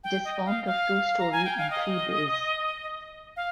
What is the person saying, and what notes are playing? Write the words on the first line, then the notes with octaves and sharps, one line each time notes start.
It is formed of two storey and three bays.
G5
D#5
F5
F5
A#5
G#5
G5
F5
D#5
F5